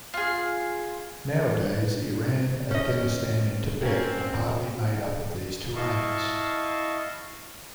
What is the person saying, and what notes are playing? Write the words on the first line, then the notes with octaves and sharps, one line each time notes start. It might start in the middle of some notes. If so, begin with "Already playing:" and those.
Nowadays, Iran, Afghanistan and Tibet are partly made up of these terranes.
F4 G#4
C#4 D#5
A#3 C4 C#4
E4 D#5 F5 A5 C#6